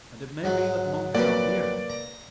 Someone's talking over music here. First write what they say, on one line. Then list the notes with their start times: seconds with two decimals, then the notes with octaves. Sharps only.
And it may be that Mung shall hear.
0.44 G#2 F#3
1.15 F2 F#3 A#3 B4 D5
1.90 A#5